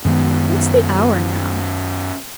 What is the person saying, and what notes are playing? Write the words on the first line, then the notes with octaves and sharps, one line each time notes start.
What's the hour now?
F#2 D#3 G#3 B3